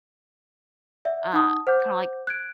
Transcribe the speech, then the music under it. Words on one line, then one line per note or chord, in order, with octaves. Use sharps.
Uh, kinda like
D5 E5 F#5
D#4 F#5 A5 D#6
C5 F#5 D6 G6
F#6 G#6 D7